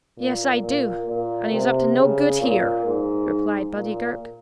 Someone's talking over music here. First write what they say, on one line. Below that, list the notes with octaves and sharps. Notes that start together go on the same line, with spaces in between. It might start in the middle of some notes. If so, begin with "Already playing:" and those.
"Yes, I do, and he's up to no good here," replied Buddy Girk.
A#2
A#2
A#2
C3
C#3
A#2
G#2
A#2